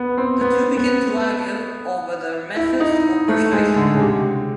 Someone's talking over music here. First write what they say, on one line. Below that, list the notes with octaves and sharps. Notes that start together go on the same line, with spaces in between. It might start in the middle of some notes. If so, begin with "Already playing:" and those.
The two begin to argue over their methods of persuasion.
Already playing: B3
C4
B3
B3
E4
D#4
A3
G#3
D3
C#3
C3